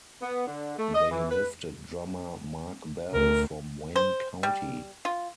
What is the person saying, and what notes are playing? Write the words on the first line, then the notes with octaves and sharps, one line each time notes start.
They lifted drummer Marc Bell from Wayne County.
B3
D3
A3
D#5
E3
B4
D2 A#4
C5
G3
F4